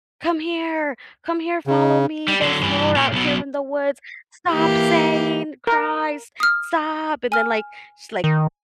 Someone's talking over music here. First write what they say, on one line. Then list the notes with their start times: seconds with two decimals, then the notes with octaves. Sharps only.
"Come here! Come here, follow me, there's more out here in the woods. Stop saying Christ! Stop!" and then, like, she, like
1.67 C#3
2.28 G3
2.42 D3 F#3
2.62 G2 E3
2.96 A#2
3.13 B1 B2
4.52 E3 A#3 G4
5.67 A#4
6.40 D#6 F6
7.32 G#5 F6
8.24 D#3